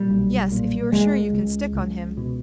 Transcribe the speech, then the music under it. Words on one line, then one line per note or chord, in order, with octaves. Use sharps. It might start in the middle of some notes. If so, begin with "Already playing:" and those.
"Yes, if you are sure you can stick on him."
Already playing: A#2 G3
B1
A#2
C#2 G#3
C#2
C#2
B2